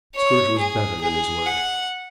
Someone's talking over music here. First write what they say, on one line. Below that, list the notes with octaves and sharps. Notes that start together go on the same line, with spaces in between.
Scrooge was better than his word.
C#5
G#4
G#4
F#5